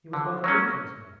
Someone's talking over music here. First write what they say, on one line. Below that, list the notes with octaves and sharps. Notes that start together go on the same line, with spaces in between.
He was one of Miko's men.
D3
F#3 A#3 C#4